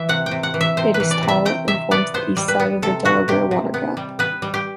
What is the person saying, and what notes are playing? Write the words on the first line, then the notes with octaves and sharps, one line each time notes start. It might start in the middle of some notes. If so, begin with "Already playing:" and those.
It is tall, and forms the east side of the Delaware Water Gap.
Already playing: E3 E5
C3 F#5
G5
C3
F#5
E3
E5
C3 C5
B4
E3
D5
C3
E5
C3 G5
C3 E5
B3 D5
B3 C5
G3
B4
B3
C3 A4
B3 F#4
C3 G4
C3
B3
G3
B3 B4
G3
G4